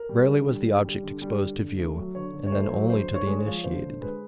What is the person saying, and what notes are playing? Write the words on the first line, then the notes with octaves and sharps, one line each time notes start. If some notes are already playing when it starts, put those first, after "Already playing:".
Rarely was the object exposed to view, and then only to the initiated.
Already playing: A#4
G3
D3
G3
D3
G3
D3
G3
D3
D3
A3
F#3
D3 C#5
D3
C#5
A3 C5
F#3
D3 C5
D3
C#5
G#3
C#5
F3
D3 C5
D3
G#3 B4